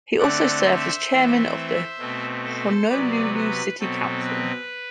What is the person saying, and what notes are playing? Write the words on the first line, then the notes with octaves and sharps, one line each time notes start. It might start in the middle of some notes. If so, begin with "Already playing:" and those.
He also served as chairman of the Honolulu City Council.
D3 A3 C4 D5 F#5
C5 E5
E3 A3 C4
B2 A3 C4
A4 C5
C3 F#3 B3 B4 D5
B4
B2 F#3 C4 A4
B4